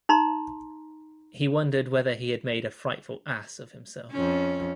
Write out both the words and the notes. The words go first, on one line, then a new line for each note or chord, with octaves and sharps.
He wondered whether he had made a frightful ass of himself.
D#4 A#5 C6
F2 C#4